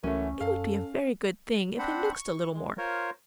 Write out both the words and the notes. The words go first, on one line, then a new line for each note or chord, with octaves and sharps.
It would be a very good thing if they mixed a little more.'
C#2 F#2 E3 A3 C#4
F#2 A4 F5
C4 D4 C5 F#5 B5
C#6
G#3
F4 A#4 C5 C#5